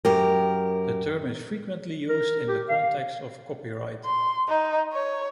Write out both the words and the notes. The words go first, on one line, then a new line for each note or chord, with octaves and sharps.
The term is frequently used in the context of copyright.
F#2 G4 A#4
A#4
G4
F5
C6
D#4
C#5